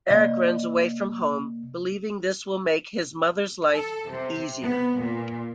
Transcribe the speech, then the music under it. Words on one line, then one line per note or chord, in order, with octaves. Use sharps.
Erik runs away from home believing this will make his mother's life easier.
C3 A#3 D5 D#5 F5
A4
C3
B3
A#2